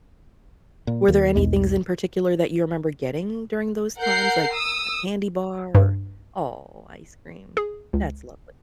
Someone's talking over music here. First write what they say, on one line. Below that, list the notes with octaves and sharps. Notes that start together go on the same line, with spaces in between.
Were there any things in particular that you remember getting during those times, like a candy bar or Aw, ice cream. That's lovely.
A#2
D#2
B1 E2 G#3
A#4 F#5 G6 C7
D#6 E6
G2
G#4
C#2